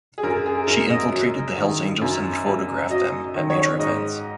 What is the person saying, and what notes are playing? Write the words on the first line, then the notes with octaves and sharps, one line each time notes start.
She infiltrated the Hells Angels and would photograph them at major events.
G#4
F#2 A#4
G#4
F#2 A#4
D#5
F#3
D#3
F#2
F#2
F#3 D#5
D#3
C#5
G#2 D#5